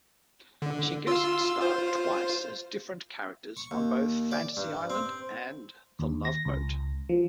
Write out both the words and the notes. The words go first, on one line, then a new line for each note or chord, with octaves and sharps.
She guest-starred twice as different characters on both "Fantasy Island" and "The Love Boat".
D3
F4 C6 E6
F4 C5
C#6
D#2
D5
G2
C4
D#2
A#6
C#2
F3